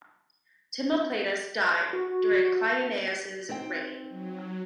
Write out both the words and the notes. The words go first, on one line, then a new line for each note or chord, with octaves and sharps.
Timocleidas died during Cleinias's reign.
F#4
C4 D#4 G5
F#3